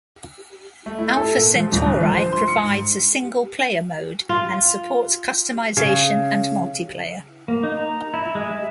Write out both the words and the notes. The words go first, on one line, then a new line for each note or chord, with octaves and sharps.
"Alpha Centauri" provides a single player mode and supports customization and multiplayer.
A3
E4
A4
A#2
F3
D#1
D3
F3
C5
C6
C#7
G#2
F4
C#3
A#3
D#4
A#5
E4
G#3
E5